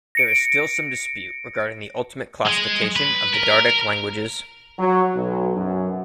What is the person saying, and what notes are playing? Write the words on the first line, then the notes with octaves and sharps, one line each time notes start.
There is still some dispute regarding the ultimate classification of the Dardic languages.
A#6 C#7 D7
G#3
B4
A#4
F#3
B1
F#2